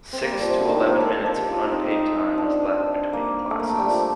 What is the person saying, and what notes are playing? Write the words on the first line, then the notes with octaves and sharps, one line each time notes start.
Six to eleven minutes of unpaid time was left between classes.
C4
A#3
G3
F3
C3
D3
D#3
F3
A#3
A4
A#4
A4
G4
F4
D#4
C4
D#4
D4
A#3
A3
A#3
A3
G3
F3